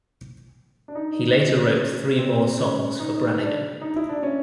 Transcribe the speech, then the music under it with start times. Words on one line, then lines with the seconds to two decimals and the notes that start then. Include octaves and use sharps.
He later wrote three more songs for Branigan.
0.88 D4
0.95 D#4
1.36 C#4
2.19 C4
2.59 C#4
3.00 D#4
3.40 D4
3.81 D#4
3.96 E4
4.09 D4
4.23 C#4